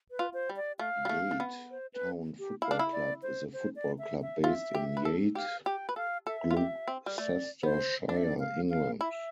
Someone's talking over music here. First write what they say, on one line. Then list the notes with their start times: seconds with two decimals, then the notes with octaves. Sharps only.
Yate Town Football Club is a football club based in Yate, Gloucestershire, England.
0.11 B4
0.19 F4
0.34 C5
0.49 G3
0.56 D5
0.79 A3 F5
1.05 G3
1.09 A3
1.31 A3
1.40 B3
1.71 C5
1.94 B4
2.39 G4
2.62 E4 F5
2.71 D4
2.79 E4
2.92 D5
3.23 C5
3.53 C5
3.76 D5
3.99 E5
4.22 E5
4.44 F4 E5
4.75 G4
4.97 B4
5.05 A4
5.35 G4 F5
5.66 G4 G5
5.89 B4
5.96 A4 F5
6.27 A4 E5
6.51 F4
6.57 G4
6.88 C4
7.06 G3
7.18 A3 D5
7.63 B3 C5
8.09 D4 D5
8.17 E5
8.24 D5
8.40 F5
8.70 F5
9.01 E4 E5